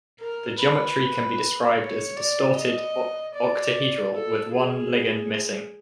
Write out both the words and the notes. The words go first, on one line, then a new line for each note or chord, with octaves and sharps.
The geometry can be described as a distorted octahedral with one ligand missing.
A#4
B4
C#5
D5
D#5
D5
A4
G#4